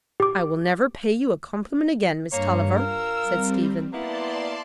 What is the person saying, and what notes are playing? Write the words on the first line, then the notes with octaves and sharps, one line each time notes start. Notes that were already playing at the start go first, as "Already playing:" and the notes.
"I will never pay you a compliment again, Miss Tulliver," said Stephen.
G4 D6
G2 A#3 C#5
F4 A#4 E6
G3 C4
A#3 B3 E4 D5 A5 C6